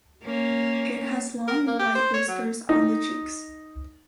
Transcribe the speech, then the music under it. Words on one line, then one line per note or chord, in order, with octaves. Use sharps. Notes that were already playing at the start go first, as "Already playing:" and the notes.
It has long white whiskers on the cheeks.
A#3 C#4
A#4
A#3
G4
C5
C#5
F#3
D#4